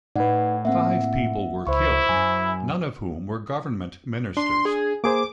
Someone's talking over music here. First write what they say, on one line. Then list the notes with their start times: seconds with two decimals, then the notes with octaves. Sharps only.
Five people were killed, none of whom were government ministers.
0.16 A2 D#4 B4 D5 F#5
0.65 A#3 C4 E5 F#5
1.67 C#2 E4 C5 C#6
2.09 F#2 G#5
4.37 D4 C6
4.65 G#4
5.04 A#3 G#4 C5 D6